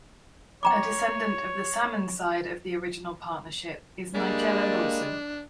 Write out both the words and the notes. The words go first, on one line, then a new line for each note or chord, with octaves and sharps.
A descendant of the Salmon side of the original partnership is Nigella Lawson.
C#5 G5 A#5 D6
G3 G#3 A#3 D4